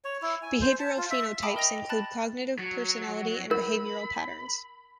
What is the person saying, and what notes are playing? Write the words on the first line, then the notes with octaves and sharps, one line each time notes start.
Behavioral phenotypes include cognitive, personality, and behavioral patterns.
C#5
E4
G#5
C5
A5
F4
E5
E5 G5 A5 B5 D6 D#6
A#4 D#5 G5 A#6 F7
A5 B5 F#6 A6
F#3
A#4 B5